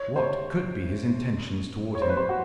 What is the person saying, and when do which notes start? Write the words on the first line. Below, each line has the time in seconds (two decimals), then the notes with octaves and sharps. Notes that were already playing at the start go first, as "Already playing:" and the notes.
What could be his intentions towards him?
Already playing: C#5
0.16 C5
0.22 C#5
1.95 C#5
2.02 C5
2.10 B4
2.17 C5
2.29 F#4